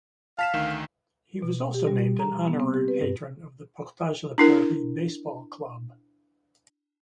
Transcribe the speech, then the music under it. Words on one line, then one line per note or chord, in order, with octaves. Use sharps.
He was also named an honorary patron of the Portage la Prairie Baseball Club.
F5 A5 B6 E7
D2 D#3 E7
B2
G4
G3
A#5
B3
C4
G4
B4
G2
D4 E4 A#4